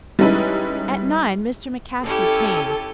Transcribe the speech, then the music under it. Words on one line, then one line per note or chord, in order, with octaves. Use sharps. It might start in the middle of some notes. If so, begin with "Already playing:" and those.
At nine Mr. McCaskey came.
G3 G#3 C#4 D#4 E4 B4
C#4 E4 G4 A4